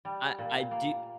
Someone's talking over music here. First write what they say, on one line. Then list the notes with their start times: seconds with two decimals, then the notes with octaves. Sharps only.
I I do
0.05 G3
0.38 A#2
0.71 A#3